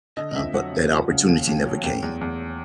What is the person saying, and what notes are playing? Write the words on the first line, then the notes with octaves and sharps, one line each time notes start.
uh, but that opportunity never came.
D3 D#5
D#5
F2 E5
F#3 F#5
C#3
F3
C#3
D#2
D#2
F#3
E2 G5
E2
E2